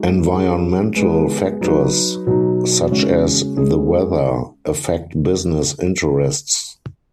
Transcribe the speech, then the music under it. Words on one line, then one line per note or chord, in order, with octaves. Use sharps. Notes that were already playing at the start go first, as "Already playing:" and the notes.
Environmental factors, such as the weather, affect business interests.
Already playing: G#3 D#4 F#4
F#3 C#4 G#4
G#3 B3 G#4
F#3 D#4 B4
B2 F#3 D#4
C#3 G#3 C#4 F#4
G#3 C#4 G#4